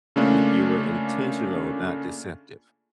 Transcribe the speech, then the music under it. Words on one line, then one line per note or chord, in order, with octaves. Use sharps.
Y you were intentional, not deceptive.
C#3 A3 A#3 C#4 D4 F4